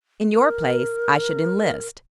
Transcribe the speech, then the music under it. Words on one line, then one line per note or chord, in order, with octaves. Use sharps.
In your place, I should enlist.
A#4